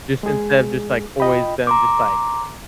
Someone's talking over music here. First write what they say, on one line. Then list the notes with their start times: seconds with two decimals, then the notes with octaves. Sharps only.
Just instead of just, like, always them just, like,
0.23 G#3 G#4
1.20 F4 D#5 G5 B5
1.67 A#5 C6 D6